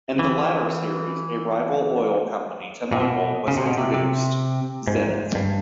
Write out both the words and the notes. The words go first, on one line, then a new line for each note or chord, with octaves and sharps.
In the latter series, a rival oil company to Mogul was introduced - Zenith.
E3
A#2
B2
C#3
C3
B2
C3
C3
G#2
G2